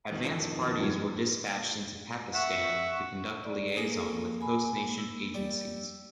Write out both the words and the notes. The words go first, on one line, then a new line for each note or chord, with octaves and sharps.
Advanced parties were dispatched into Pakistan to conduct liaison with host nation agencies.
F2 D#3
G2 E4 G#6
E5 F#5 C#6
D5
A#3 G#4 A4
G#5 B5
E6
G3